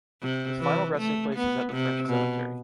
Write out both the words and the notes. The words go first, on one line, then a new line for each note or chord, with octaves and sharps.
His final resting place is at the French cemetery.
C3
E3
A3
B3
C3
B2